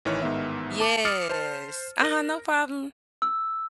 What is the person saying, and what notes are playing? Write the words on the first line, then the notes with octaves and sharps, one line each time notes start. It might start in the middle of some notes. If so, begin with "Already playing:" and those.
Yes, uh-huh, no problem.
A1 D#3 E3 C#5 F6
A1 G#2 D#3 B3 E5
A5 D6
D6 D#6 F6 A6 C#7 D#7
C5 A5
A#4 A#6
E6